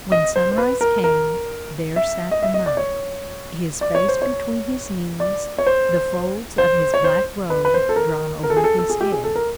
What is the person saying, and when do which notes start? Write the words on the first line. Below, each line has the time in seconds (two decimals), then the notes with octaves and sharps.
When sunrise came, there sat the monk, his face between his knees, the folds of his black robe drawn over his head.
0.12 D#5
0.36 C5
0.52 C5
0.58 B4
0.81 A#4
1.04 A#4
1.96 E5
2.31 D#5
2.43 E5
2.54 D#5
2.66 D5
2.77 C#5
3.81 D5
3.95 C#5
4.08 C5
4.22 C#5
5.20 D5
5.58 C#5
5.67 C5
6.58 C5
6.94 C#5
7.04 C5
7.50 B4
7.65 B4
7.74 C5
7.89 A4
7.96 A#4
8.43 A#4
8.50 A4
8.57 G#4
8.64 A4
8.79 A4
8.90 G#4
9.01 G4
9.12 G#4
9.24 A4
9.36 A#4